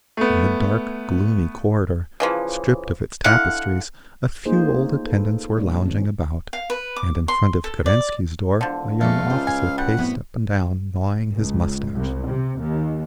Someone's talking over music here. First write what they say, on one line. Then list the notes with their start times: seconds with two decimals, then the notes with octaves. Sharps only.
In the dark, gloomy corridor, stripped of its tapestries, a few old attendants were lounging about, and in front of Kerensky's door a young officer paced up and down, gnawing his moustache.
0.17 A3 B3
2.20 C#3 E3 F3
3.24 D3 E4 F5 F#5
4.45 A3 A#3 D#4 F4 G#4 C5
5.06 A4 B4
5.57 A#2 G3 D4 C#5
5.85 D#3 C4 C#4
6.53 F5
6.70 B4
6.96 D6
7.28 C6
7.64 A4
7.86 D5
8.61 E1 D3 F3
9.01 F2 G#3 A3 B3 F5
9.30 C#2 F4 C5
9.47 G#5
9.78 G3 F#5
9.97 C2 A2 B3 F#4
11.33 C#2
11.93 C2
12.26 C3
12.59 D#2